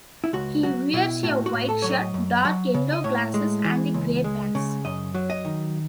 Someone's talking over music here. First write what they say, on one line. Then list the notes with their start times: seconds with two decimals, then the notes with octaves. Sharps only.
He wears a white shirt, dark-yellow glasses and grey pants.
0.24 E4
0.33 C#2 F#4
0.63 F#3 F#4
0.93 B2 E4
1.23 A2 F#4
1.46 F#4
1.53 A2
1.69 A4
1.82 F#3 C#5
1.91 D#5
2.14 F#2
2.45 F#3
2.74 C#3
2.93 D#5
3.04 A2 C#5
3.34 G#3
3.65 E3
3.94 C#2
4.24 G#3
4.55 C#3
4.85 F#2 D#5
5.14 F#3
5.30 D#5
5.45 D#3